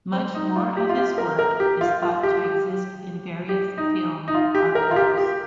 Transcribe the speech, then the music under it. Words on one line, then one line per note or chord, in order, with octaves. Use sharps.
Much more of his work is thought to exist in various film archives.
C4
D#4
F4
G4
F4
G4
A#4
A#4
G4
F4
F4
G4
G4
G4
D#4
D#4
F4
G4
A#4
F4
G4
G4